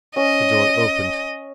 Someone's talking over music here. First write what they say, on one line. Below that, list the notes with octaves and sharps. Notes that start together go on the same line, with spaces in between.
The door opened.
C#4 D#5 D#6